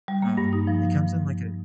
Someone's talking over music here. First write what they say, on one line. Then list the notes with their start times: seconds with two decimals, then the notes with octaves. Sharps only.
Um, it comes in like a
0.08 G3
0.22 A#3
0.38 G2
0.53 D#4
0.67 F3